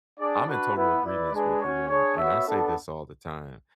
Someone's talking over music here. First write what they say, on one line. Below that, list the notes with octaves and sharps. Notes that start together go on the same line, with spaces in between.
I'm in total agreements with you, man. And I say this all the time,
D4 G#4 D5
D4 F#4 B4
B3 E4 B4
E4 B4 D5
G#3 D4 G#4 B4
C#4 F#4 C#5
D4 G#4 C#5
B3 F#4 C#5 E5
B3 D4 A4